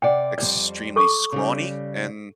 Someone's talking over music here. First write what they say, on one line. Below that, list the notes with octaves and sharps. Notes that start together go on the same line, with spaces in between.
extremely scrawny, and
C3 D5 F#5 G5
F2 G3 C4 D5
A4 C#6 D6
C#3 G3